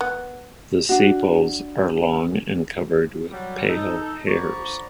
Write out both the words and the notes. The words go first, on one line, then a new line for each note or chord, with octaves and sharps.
The sepals are long and covered with pale hairs.
B3
D4 F#4
F#3 G3
D#4 A4
D3 F3 D5 A#5 B5 C#6